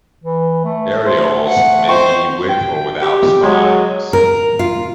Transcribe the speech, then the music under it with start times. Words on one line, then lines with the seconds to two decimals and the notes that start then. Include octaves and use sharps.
Areoles may be with or without spines.
0.24 E3
0.65 A3
1.06 C5
1.47 F#5
1.88 C5 D#5 G5 C#6
2.49 G5
3.02 G4
3.43 F#3 G#3
4.13 A#4
4.59 F4